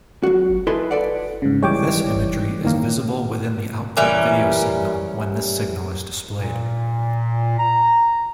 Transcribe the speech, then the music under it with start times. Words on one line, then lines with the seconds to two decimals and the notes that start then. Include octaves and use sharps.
This imagery is visible within the output video signal when this signal is displayed.
0.23 F#3 F#4
0.67 E4 A4 B4 D#5 G#5 C6
0.91 A4 B4 D5 F#5
1.42 G#2 C#3
1.63 E3 G3 G#3 C#5 G5 D6
2.64 D#3 A#3
3.97 E3 G3 C#4 A#4
6.35 A#2
7.59 A#5